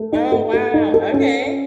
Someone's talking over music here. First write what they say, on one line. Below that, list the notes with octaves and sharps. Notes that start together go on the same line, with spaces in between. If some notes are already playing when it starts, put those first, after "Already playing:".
Oh, wow, okay.
Already playing: A3
D#4
A3
A3
D#4
A4
C#4